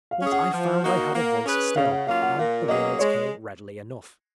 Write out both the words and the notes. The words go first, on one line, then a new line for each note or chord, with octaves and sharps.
But I found I had a voice still, and the words came readily enough.
F5
C#4 G#4
F#5
F3
A#3 D#4 F#4
A#3
C#4 G#4 B4
C#3 F5
F#5
F#3 A#3 C#4 F4 F5
F#5
A#2 F5
F#3 A#3 C#4 G#4 D#5
G#3 C#5